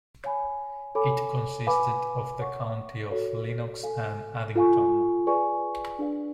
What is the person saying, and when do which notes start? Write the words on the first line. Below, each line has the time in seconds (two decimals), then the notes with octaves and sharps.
It consisted of the county of Lennox and Addington.
0.24 C#5 F5 G#5 B5
0.95 A4 C#5 G#5 B5 D6
1.67 B4 F5 G#5 B5 D6
2.39 C#5 F#5 C#6
3.11 F#4 A4 C#5 F5
3.83 A4 F5 G#5
4.55 F4 A4 F5 G#5 C#6
5.27 G#4 B4 D5 G#5 C#6
5.99 D4 G#4 B4 D5 F5